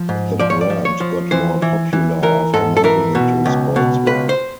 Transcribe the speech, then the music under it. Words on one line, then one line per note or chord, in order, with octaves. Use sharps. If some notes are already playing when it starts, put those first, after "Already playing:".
The brand got more popular after moving into sportswear.
Already playing: F3
G#2
F3 D5
C#5
D5
F3
C#5
F3
E3 C5
E3
E3
E3 A#4
G#2 A4
A4
E3 A#4
B2
C#2
B2
C#2 B4
C5